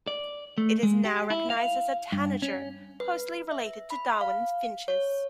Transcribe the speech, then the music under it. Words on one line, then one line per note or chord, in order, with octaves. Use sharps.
It is now recognized as a tanager closely related to Darwins finches.
D5
A3
G#3
G4
E4
F5
G2
C#4
B4
E5
B5
F5
C#5